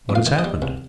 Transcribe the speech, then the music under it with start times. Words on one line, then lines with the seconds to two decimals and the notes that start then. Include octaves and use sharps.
"What has happened?"
0.09 F2
0.15 F5
0.27 D#3
0.39 D#5
0.44 G3
0.62 C2